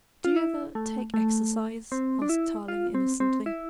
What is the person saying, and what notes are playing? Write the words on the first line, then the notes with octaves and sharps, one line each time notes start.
"Do you ever take exercise?" asked Tarling innocently.
F4
E4
A3
A3
C4
D4
E4
F4
C4
C4
E4